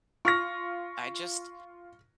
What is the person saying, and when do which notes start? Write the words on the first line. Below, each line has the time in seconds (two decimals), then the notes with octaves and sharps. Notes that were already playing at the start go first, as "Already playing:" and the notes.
I just
0.25 F4 C#6 F6 A#6